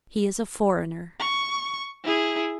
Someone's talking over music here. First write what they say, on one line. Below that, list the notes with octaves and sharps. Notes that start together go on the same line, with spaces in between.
"He is a foreigner."
C#6
E4 G#4